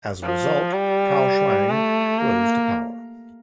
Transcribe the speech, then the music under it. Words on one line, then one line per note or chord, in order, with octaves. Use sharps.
As a result, Cao Shuang rose to power.
F3
G3
A3
A#3